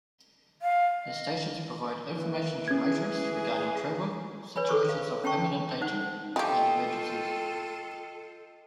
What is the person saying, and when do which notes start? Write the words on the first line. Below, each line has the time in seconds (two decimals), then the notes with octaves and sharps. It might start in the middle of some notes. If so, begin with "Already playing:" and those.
The stations provide information to motorists regarding travel, situations of imminent danger and emergencies.
0.62 F5
1.04 D#5
2.16 E3 A#3
2.68 C#4 G#4 G#6
4.56 B4 C#5 G#5 B5
4.69 G#4 A4 C5 C#6
4.89 F5
5.24 C#4 G5 A5 C#6
5.81 D#4 C5 F#5
6.36 F3 F4 G4 A4 D#5 G5 C#6